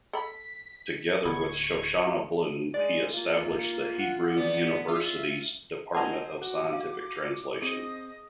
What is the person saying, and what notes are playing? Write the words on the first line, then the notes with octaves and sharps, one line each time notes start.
Together with Shoshana Bloom, he established the Hebrew University's Department of Scientific Translation.
A4 B5 B6
D1 D3 B3 G#4 B5 C#6 G#6
G#3 D5
A#3 F4
F#5
E2 B3 D5
F4 E5
A#4 C5 D#5 F#5 G#5 A5
F#4 D6
F5
C4 G#4 D#5